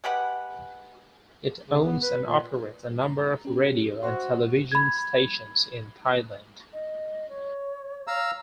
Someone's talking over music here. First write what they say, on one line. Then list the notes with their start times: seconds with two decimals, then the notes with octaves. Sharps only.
It owns and operates a number of radio and television stations in Thailand.
0.04 G#3 G4 B4 F#5
1.67 C#3
1.84 B3
2.03 B4
2.26 A#2
3.01 A#5
3.45 C#4 G4
4.03 F#4 C5 E5 C6
4.72 B5 G#6
6.73 D#5
7.29 C#5
8.07 F5 A#5 E6